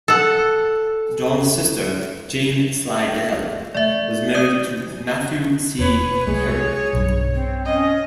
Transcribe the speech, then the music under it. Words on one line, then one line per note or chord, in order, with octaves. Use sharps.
John's sister, Jane Slidell, was married to Matthew C. Perry.
A4 F#5
A3 D5 E5
C#5 D5 D#6 G6 D#7
E1 B4 C#5
C2 G#3 A3 G#4
B1 G2
C4
C#4 D#5